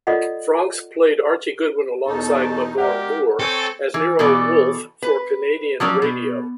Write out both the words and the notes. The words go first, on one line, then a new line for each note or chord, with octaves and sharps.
Francks played Archie Goodwin alongside Mavor Moore as Nero Wolfe for Canadian radio.
F4 A4 D5 D#5 F#5
E2 B2 D#4 A4
G#3 G4 A#4 D5 E5 F#5
C4 A4 C#5 G5 G#5
E3
B2 E3 A4 D5
B4
F3 F#3 C#4 D5
B2